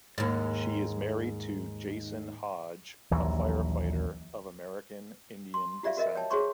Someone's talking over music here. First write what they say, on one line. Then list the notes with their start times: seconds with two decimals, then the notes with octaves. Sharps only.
She is married to Jason Hodge, a firefighter of American Indian descent.
0.18 D#2 G#2
3.11 A#1 D#2 E3 F#3
5.54 C6
5.83 F4 G4 D5 E5 F5
5.97 F#4 A#4 D#5 E5
6.15 C#5 G5 A5
6.30 F#4 G#4 C5 C#5 C6 C#6